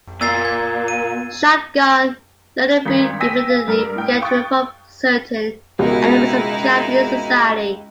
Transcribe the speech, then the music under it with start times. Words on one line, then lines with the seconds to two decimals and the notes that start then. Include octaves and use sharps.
Shogun Ienobu immediately began to reform certain elements of Japanese society.
0.21 A#2 E6 A6 C7
0.45 G#6
0.88 D#7
2.86 G#1 G2 A#5 B6
3.20 G5 G#5 E6 A#6 B6 D#7
3.49 F5
3.68 G2 A#4 F6
3.96 A2 G5
4.21 F5 G5 C#6 D#6 F#6 A6
5.79 C#2 B2 D#4 E4 F#4 A#4